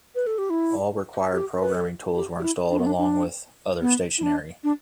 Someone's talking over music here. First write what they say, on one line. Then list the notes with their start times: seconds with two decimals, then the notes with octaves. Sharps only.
All required programming tools were installed, along with other stationery.
0.15 B4
0.27 A4
0.38 G4
0.50 E4
1.33 G4
1.61 B4
1.74 A4
2.16 G4
2.39 G4
2.43 E4
2.70 D4
2.79 B3
2.86 D4
2.98 D4
3.81 B3
4.18 E4
4.23 D4
4.64 D4